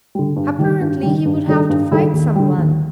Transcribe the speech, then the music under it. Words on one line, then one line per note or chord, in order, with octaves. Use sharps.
Apparently, he would have to fight someone.
D3 G3
G2
D#3 G3
G2
D#3 G3
G2
D#3 G3 D4 A4
G2
D#3 G3 D4 A4
D#2
D3 G3
D#2